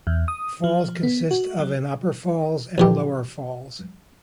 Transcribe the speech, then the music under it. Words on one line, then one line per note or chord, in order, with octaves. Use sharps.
The falls consists of an Upper Falls and a Lower Falls.
E2
D#6
F3
B3
F#4
F#3
A#1 E3 G4